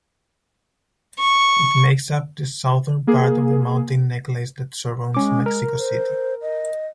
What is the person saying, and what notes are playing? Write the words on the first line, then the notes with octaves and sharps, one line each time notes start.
It makes up the southern part of the mountain necklace that surrounds Mexico City.
C#6
A#3 G#4
G#3 C#4 D6
A#4
C5
D#5